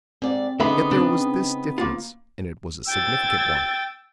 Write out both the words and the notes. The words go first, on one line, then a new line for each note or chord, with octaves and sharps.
Yet there was this difference, and it was a significant one.
G#2 C4 D5
D3 B3 C#4 D#4 G#4 D#5 E5 B5
C#3 C4 D4
A#3 F4
G5 E6 G#6 A6